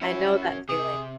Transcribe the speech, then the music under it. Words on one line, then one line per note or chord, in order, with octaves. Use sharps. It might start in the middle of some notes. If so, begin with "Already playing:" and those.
I know that feeling.
C#4 E4 F#4
C3 G#4